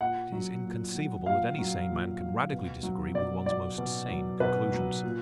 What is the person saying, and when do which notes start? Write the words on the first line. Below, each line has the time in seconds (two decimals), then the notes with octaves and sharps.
It is inconceivable that any sane man can radically disagree with one's most sane conclusions.
0.01 A#2 F#5
0.32 F#3
0.64 A#2
0.95 F#3
1.26 A#2 F5
1.58 F#3
1.89 A#2
2.21 F#3
2.52 B2
2.83 F#3
3.14 B2 D5
3.46 F#3 D5
3.78 B2
4.09 F#3
4.40 B2 B4
4.72 F#3
5.03 A#2